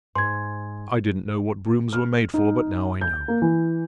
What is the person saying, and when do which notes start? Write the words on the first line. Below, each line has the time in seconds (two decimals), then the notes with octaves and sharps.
I didn't know what broughams were made for, but now I know.
0.15 G#2 C5 G#5 C6 G#6
1.93 F6
2.34 D#4
3.01 G6
3.28 A#3
3.42 E3